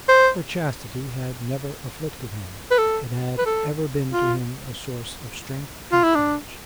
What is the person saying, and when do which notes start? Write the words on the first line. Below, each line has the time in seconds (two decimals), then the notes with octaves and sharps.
For chastity had never afflicted him; it had ever been to him a source of strength and courage.
0.08 C5
2.71 B4
2.78 A4
3.38 B4
3.46 A4
4.13 F4
5.92 F4
6.04 E4
6.15 D4